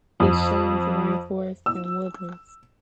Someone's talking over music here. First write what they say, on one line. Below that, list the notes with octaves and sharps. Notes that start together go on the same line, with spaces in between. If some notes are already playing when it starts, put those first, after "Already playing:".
It shuns rainforests and woodlands.
F2
E6